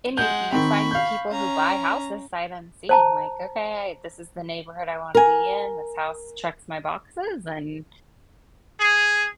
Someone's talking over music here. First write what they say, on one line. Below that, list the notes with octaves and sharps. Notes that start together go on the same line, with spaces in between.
and you you find people who buy houses sight unseen, like, "Okay. This is the neighborhood I wanna be in. This house checks my boxes, and
G#3 F#5 G6
D#3 C4 B5 C#6
F5 G6
C#4 A#5
C5 A5 A#5
A#4 G#5
G#4